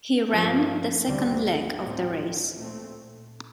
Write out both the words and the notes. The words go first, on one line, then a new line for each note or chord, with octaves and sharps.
He ran the second leg of the race.
G2 F3 A#3
D2 D3 G3 C4
A2 G3 C4
A#2 A3 C4